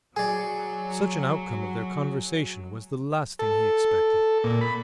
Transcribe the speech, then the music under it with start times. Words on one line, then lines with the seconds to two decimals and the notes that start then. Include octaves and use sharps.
Such an outcome of their conversation was the last thing he expected.
0.16 F#3 G#4 D5
3.39 A4
4.44 A#2
4.61 B5